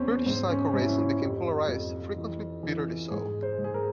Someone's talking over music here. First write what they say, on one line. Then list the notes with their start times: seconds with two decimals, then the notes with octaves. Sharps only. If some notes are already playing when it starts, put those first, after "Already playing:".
British cycle racing became polarised, frequently bitterly so.
Already playing: E2 C4 C#4
0.26 G#2 C4
0.50 C#4
0.73 G#2 C#4
0.82 E4
0.89 C#4
0.98 E4
1.21 F2 G4
1.68 F2
2.16 E3
2.63 E3
3.11 G#2 G#4
3.43 C5
3.58 G#2
3.64 G#4
3.74 A#4